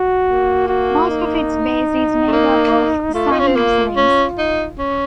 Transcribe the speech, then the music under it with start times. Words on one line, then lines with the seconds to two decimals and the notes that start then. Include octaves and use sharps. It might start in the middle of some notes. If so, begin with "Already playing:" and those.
Most of its base is made up of Sunni Muslims.
Already playing: F#4
0.27 A#3
0.69 F#4
1.10 D#4
2.27 A3
2.32 A#3
3.14 A3 F4
3.32 D#4
3.39 C#4
3.47 C4
3.55 A#3
3.96 C#4
4.38 D#4
4.78 C#4